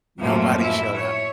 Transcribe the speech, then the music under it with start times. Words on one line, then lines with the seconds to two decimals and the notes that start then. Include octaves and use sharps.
nobody showed up,
0.21 F#2 A2 F3 A3 A#3
0.62 E4 E5
0.96 C#5